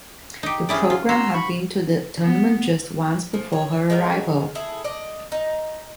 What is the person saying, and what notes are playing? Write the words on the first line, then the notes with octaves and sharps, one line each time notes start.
The program had been to the tournament just once before her arrival.
D#4 G4
C#4 E4 G#4 D5
F4
F#4 A#5 C6 E6
B5 C#6
B3
F3
C#5
G#3 B3 C#4 A#4
E4 G#4 A4
D5 D#5
D#4